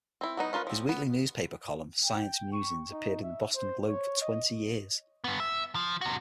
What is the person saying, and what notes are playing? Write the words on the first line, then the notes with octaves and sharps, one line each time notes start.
His weekly newspaper column "Science Musings" appeared in the Boston Globe for twenty years.
C4 E4
F#3 B3 D#4
C#4 F4 A#4 B4
F3 C4
B3
G5
C#6
D#4
E5
C5
C#5
D#5
G2 B3
E5
F3
C3 F#4